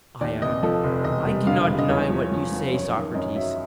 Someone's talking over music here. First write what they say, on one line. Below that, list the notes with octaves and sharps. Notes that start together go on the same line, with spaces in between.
ION: I cannot deny what you say, Socrates.
D#2 D5
F1 D#5
F3 A4
F1
E1 D#5
G3
D3 F5
G3 F5
D#5
E2 C#5
F3
F3
F3
F#2
D#3
F#2 D#5
F#3 E5